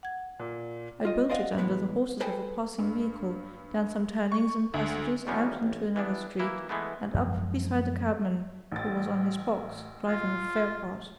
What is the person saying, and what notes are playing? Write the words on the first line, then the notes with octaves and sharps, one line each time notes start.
I bolted under the horses of a passing vehicle, down some turnings and passages, out into another street, and up beside a cabman who was on his box, driving a fare past.
F#5 G#6
A#2
F4 D#5
C5 D5 D#5 F5 F#5
A2 E3 G#3 B3
G#4 A4 B4 C5 G5 G#5
G2
C#6
D2
E2 B2 D#3 G3 G#3 C#4
A1
E3 B3 D4
E3 A#3 E4
E3 G#3 A3 B3
F#2 F3 G#3
A1 A6
F4